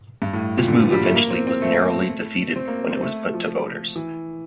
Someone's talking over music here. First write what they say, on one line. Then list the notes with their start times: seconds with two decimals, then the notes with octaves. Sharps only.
This move eventually was narrowly defeated when it was put to voters.
0.22 G2
0.33 A2
0.58 A#2
0.68 D3
0.80 F3
0.92 G3
1.04 A3
1.15 A#3
1.31 C4
1.47 C4
1.62 A3
2.56 C4
2.68 A#3
2.91 C4
3.02 A3
3.34 F3
3.96 E3